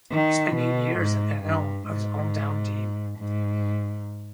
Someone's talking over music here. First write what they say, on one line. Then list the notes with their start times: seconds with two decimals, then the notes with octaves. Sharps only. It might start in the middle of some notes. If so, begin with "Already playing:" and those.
He spent eight years at the helm of his hometown team.
0.11 D#3
0.55 B2
0.99 G#2
1.43 G2
1.87 G#2
3.18 G#2